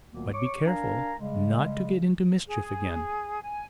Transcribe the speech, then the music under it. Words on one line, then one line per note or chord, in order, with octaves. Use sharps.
"But be careful not to get into mischief again."
D2 A#2 D#3 F#3 A#3 B3
C#5 C#6 D6
D4 A#4 F5 G#5 A#5
C#3 G3 G#3
G#4
G#5